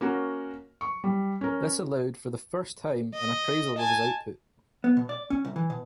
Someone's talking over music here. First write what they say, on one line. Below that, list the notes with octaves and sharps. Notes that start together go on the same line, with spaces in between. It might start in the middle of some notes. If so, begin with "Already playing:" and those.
This allowed for the first time an appraisal of his output.
A#3 C#4 F#4 A#4
C#6
G3
C#4 A#4
D#5
G#5 A5
B3
B2
D5
C#4
C2
E3
B2